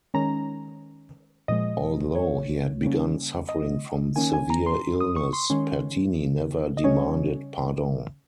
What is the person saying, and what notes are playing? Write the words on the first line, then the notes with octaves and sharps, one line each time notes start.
Although he had begun suffering from severe illness, Pertini never demanded pardon.
D#3 G#3 C#4 A#5
A#2 F3 G#3 D#5
C#5
C#3 G3 A#3 C#4
D#5
D#3 A#3 C#4 G#5
G#5
A#5
C6
D#6
C#6
C6
D#3 G#3 C#4
D#5
C#3 G3 C#4 C#5